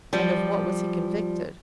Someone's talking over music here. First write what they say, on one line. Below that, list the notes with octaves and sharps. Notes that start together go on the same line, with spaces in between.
"And of what was he convicted?"
F3 G3